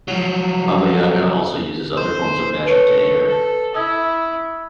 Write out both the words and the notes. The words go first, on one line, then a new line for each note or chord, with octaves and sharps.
Baba Yaga also uses other forms of magic to aid her.
F3 F#3
C5
A4 B4 C#5
A4
E4 D#6 E6 G#6